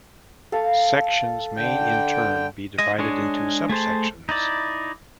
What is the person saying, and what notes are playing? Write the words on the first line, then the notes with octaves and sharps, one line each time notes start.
Sections may in turn be divided into subsections.
A4 F5
D3 G5
G#3 D#5
G#3 D4 G#4 C#5
A3 G#4 C5 A5
D#4 E4 D5